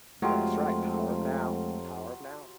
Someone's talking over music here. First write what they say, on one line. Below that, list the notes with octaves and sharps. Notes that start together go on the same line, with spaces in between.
That's right, Power of Now, Power of Now.
F2 F#3 G#3 A3 F4 G4